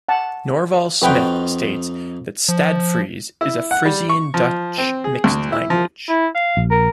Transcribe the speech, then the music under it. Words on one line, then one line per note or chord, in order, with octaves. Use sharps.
Norval Smith states that Stadsfries is a Frisian-Dutch mixed language.
F#5 A5
F2 D#4 F4 F#4 B4 G5
F3
E4
F#5
G3
C#6
F3
C4
G#4
D2
E4
F3
E4
F5
A#1
A#4